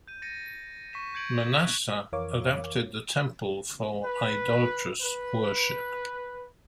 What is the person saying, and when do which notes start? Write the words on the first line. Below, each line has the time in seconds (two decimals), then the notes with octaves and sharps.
Manasseh adapted the Temple for idolatrous worship.
0.08 G6 D#7
0.22 A6 A#6 C#7 D#7
0.93 C#6 B6 E7
1.15 G6 G#6 C#7 D7 F#7
1.54 F#6
2.13 F2 E3 A#4 C#5 F5 D6
4.05 B4
5.02 B4